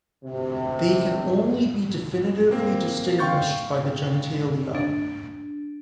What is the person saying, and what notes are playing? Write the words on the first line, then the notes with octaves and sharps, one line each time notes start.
They can only be definitively distinguished by the genitalia.
D2 C3
A#3 C4
F5 G5 C6 C#6 G6 A6
D4